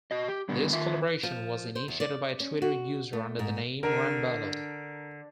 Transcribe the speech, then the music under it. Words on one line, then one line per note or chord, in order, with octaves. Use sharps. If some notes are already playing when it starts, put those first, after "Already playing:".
This collaboration was initiated by a Twitter user under the name 'Ramballo'.
F#4 D#5
G4
G#2 D3 G3 B3
D#3 F4 E5
F3
C5
E2
D5
C#4
F#4
A3
G#2
D3 A#4